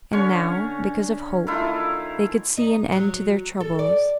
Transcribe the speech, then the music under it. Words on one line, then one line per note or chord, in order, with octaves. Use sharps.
And now because of Hope they could see an end to their troubles.
D3 C#4 C#5 C#6
D#3 A3 E4 F4
D#4
F#3
A4
D5